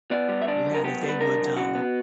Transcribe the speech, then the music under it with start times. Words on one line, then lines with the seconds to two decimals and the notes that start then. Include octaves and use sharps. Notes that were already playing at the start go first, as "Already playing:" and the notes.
Yeah, that they would, um,
0.11 B3 D5
0.29 G3
0.42 E5
0.47 D3 D5
0.65 F#2
0.74 A#4
0.84 B3 G4
1.02 G3
1.09 B4
1.21 D3 A#4
1.39 F#2
1.56 C#3 F#4
1.75 B3